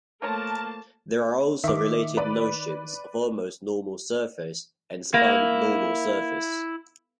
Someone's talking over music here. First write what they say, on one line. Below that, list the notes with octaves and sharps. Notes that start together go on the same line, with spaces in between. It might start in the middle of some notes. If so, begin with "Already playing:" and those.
There are also related notions of almost normal surface and spun normal surface.
F3 A3 A#3 A#4 C#5 A5 A#5
D#3 E5 D6
B4 D5 B5
A#3 E4